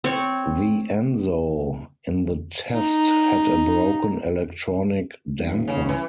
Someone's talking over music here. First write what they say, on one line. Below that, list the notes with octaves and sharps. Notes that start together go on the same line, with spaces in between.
The Enzo in the test had a broken electronic damper.
C4 C#5
D#4
D#1
C#3
E3